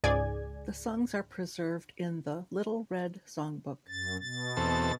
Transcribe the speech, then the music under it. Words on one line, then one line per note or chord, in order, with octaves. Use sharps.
The songs are preserved in the Little Red Songbook.
C#2 G#2 G#4 D5 G#5 G#6
F#2 A6
B2 A6
E2 C4 A4